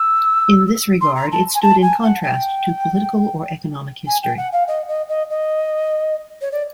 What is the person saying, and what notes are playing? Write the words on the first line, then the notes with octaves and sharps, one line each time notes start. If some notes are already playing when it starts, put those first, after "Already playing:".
In this regard it stood in contrast to political or economic history.
Already playing: E6
C6
A#5
A5
G#5
A5
G#5
F#5
G5
G#5
G5
F#5
F5
D#5
D#5
D#5
D#5
C#5
D5